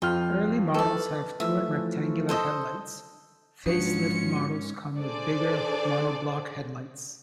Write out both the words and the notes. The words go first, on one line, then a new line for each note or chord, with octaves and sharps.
Early models have twin rectangular headlights, facelift models come with bigger monoblock headlights.
F2 F3 F4 G5 F6
A4 B4 D5
E3 F3 A3 E5
A4 C5 D#5
G#2 F3 C#4 D4 F4 F#4 C#7
D4 G#4 A4 C5 D5